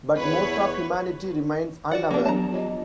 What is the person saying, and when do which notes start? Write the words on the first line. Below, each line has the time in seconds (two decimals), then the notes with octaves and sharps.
But most of humanity remains unaware.
0.18 E2 B4 C#5
1.91 F#4 D5 F#5
2.11 F3 A#3 B3 D4 G4
2.25 E3 F#3 D4 A5 A#5
2.53 F4 C#5 D#5